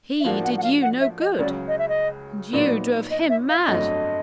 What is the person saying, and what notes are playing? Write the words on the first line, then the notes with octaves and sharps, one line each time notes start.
He did you no good; and you drove him mad.'
E5
A2 F3 A#3 D4 F#4 F5
F#5
F#5
F5
F#5
E5
D#5
C#2 C#3 F#3 D5
D#5
E5
D#5
A#2 F#3 B3 D#4 D5
D#5
E5
F5
G1 F2 D3 F#3 A3 D#5